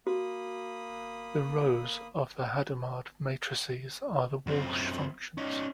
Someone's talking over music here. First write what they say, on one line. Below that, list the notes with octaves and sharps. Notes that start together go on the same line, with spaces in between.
The rows of the Hadamard matrices are the Walsh functions.
A#3 F#4 B5 D#6
F#2 C4
C#4 D#4